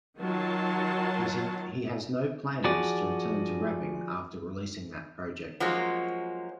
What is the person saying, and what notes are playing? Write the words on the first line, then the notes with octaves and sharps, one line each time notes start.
He said he has no plans to return to rapping after releasing that project.
D#3 F#3 F4 A5
F3 F#4 G#4 D5
F3 F#3 G#3 A#3 C#4 F4